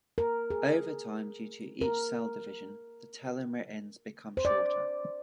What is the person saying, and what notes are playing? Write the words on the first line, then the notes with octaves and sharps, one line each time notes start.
Over time, due to each cell division, the telomere ends become shorter.
A#4
G#4
A#4
C5
D5